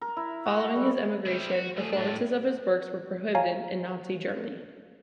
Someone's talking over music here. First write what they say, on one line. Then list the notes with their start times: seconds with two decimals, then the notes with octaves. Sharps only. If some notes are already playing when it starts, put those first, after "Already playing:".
Following his emigration, performances of his works were prohibited in Nazi Germany.
0.01 A#4
0.17 E4
0.45 F#4
0.61 A3
0.75 G3
1.26 G3 E4 C5
1.52 F#4
1.77 C2 A3 G#4
1.93 A2 D4
3.35 C#5 F5 G#5 A#5